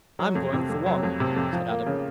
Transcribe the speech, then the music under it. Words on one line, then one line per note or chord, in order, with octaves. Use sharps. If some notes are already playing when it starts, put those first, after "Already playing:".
"I'm going, for one," said Adam.
F#3
F2
C3
F2
F#3
F2
C3
F2
F3
A#3
C#3